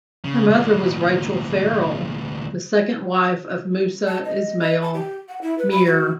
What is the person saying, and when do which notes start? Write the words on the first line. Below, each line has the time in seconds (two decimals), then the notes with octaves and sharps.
Her mother was Rachel Farrell, the second wife of Moosa Ismail Meer.
0.25 C#3
0.50 D2 A#2
4.08 A5
4.25 D#5
4.61 D#5
4.82 A5
4.94 G4
5.29 F#5
5.42 E4
5.58 B4
5.71 B5
5.86 F#4